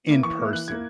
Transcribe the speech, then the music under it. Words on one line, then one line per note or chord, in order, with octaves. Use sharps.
in person?
A#3 E4
E3 C#6
A#3 E4
E3 F#6
A#3 E4 G#6